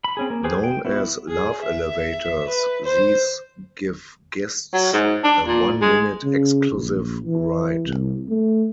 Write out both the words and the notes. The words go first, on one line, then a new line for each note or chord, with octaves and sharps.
Known as Love Elevators, these give guests a one-minute exclusive ride.
B5
C4 C#4 G#4
A#3
G4 G#4 B4 C5
G5
B3 E4 F#4
G#4
E5
B4
C5
F#3
G#2
D4
A#2
G#3
C#3
A#1
E3
C2
A3